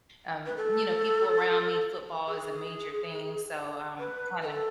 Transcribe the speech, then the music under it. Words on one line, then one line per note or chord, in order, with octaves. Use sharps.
um, you know, people around me football is a major thing, so I'm kinda
B4
A4
G#4
B4
B4
A4